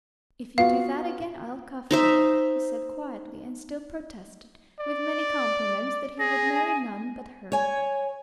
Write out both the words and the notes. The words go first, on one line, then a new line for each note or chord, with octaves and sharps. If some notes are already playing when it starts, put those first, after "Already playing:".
"If you do that again, I'll cuff you," he said quietly; and still protested, with many compliments, that he would marry none but her.
B3 F4 F#4 F5
D#4 C5 E5
D5
G#4 A#6
G#5
C#5 G#5